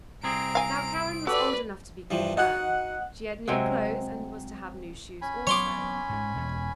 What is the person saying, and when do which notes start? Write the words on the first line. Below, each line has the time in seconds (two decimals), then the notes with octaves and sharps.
Now Karen was old enough to be confirmed; she had new clothes and was to have new shoes also.
0.24 C2 C4 G#4 A#5 D7
0.55 F5 G#5
1.27 F#4 G4 A4 B4 D5
2.11 G2 E3 F3
2.37 D#4 F#4 D#5 F#5 F#6
3.48 C3 F#3 G#3 C4
5.22 C#4 G#5 B5
5.47 F#3 B3 C4 C#5 C6 D6
6.09 G#2 G#3
6.36 E2 B2 G#3